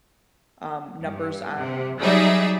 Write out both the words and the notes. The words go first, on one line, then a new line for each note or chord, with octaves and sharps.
um, numbers on
G2
C3
F#3 G3 D#4 G#4 D5 E5